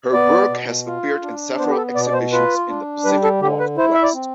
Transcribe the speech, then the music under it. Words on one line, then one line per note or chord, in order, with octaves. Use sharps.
Her work has appeared in several exhibitions in the Pacific Northwest.
B3 D5
B2
F4
D4
B3 C5
G4
A4
B2 D5
D5
C5
F4 B4
D4
G3 B4
A4
D3 G4
B4
E4 C5
E5
D5
C4